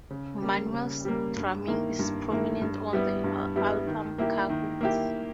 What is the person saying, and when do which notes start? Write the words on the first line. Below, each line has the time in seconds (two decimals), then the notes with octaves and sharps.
Manuel's drumming is prominent on the album "Cahoots".
0.10 C#3
0.42 G3 A#3
0.73 C#3
1.05 G3 A#3
1.36 G2
1.67 D#3 A#3 E4
1.99 G2
2.30 D#3 A#3 E4
2.61 G2
2.93 G3 B3 E4
3.24 G2
3.56 G3 B3 E4
3.87 D#3
4.18 A#3 E4 G4
4.50 D#3
4.81 A#3 E4 G4